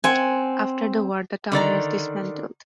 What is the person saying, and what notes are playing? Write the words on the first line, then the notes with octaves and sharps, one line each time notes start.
After the war, the town was dismantled.
C4 F#5 G#5
D3 D#3 D5 A#5